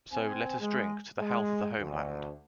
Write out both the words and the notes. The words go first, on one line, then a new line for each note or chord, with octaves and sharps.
So, let us drink to the health of the homeland.
C4 G#5
G#3
G#3
D2